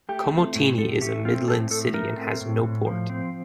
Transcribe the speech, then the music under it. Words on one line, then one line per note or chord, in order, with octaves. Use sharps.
Komotini is a midland city and has no port.
A3 G4
C4
A2
A2 A4
A3 G4
C4 F4
A2 A4
A2 A4
A3 A#4
C4
A2
A2
F3
C4